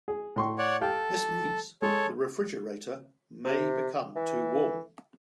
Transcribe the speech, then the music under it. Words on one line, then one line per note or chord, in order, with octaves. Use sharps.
This means the refrigerator may become too warm.
G#4
A2 C6 C#6
C#5 D5 F#5
G4 A4 F5 G5
G#3 A4 C#5
C3
E3